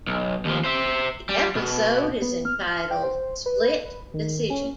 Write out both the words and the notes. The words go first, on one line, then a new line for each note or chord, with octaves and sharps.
The episode is entitled "Split Decision".
B1
D#2 F3
C5 E5
G3
B2
B3
F6
G5
C5
B4
D#3
C#4